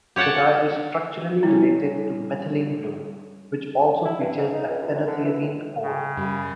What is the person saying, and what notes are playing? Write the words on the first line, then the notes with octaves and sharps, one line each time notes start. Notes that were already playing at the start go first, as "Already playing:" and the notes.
The dye is structurally related to methylene blue, which also features a phenothiazine core.
G4 C#5 F#5 G5 A5
G3 C#4 E4
E4
G2
G#2
D#4
C#2
E2
F#2
D3
E3
C#2
C#3 G5
F#2 G3 B5